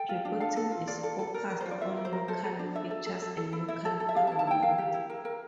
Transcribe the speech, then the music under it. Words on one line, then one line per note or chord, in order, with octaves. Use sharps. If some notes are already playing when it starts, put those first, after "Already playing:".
Reporting is focused on local features and local government.
Already playing: A4 G5
F4
D4
A4 F5
A4
F4
F4 D5
A4
A4
A#4
A#4
F4 C5
D5
F4 E5
A#4
C5
A#4
A4 C5
A4
D4
D4 E5
A4
A4
A4
A4
E4
E4 E5
A4
A4
E5
G4 F5
A5
E4
A5
E4 G5
A#4 F5
G4
E4
A#4
A#4